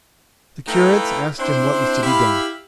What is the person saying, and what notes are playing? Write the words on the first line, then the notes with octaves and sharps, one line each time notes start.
The curates asked him what was to be done.
A3 D#4 E4 B4 F5 G5
C4 D4 E4 C5
E4 G4 E5 F5 B5